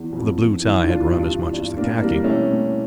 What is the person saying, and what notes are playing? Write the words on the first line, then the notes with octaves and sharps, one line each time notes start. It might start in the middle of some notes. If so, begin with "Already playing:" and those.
The blue tie had run as much as the khaki.
Already playing: E2 E3
F2
F2
E3
E3 D4 F4
G2
E3
G2
A2 A#3 D4
E3 G3 A#3
A2 A3 C#4
A2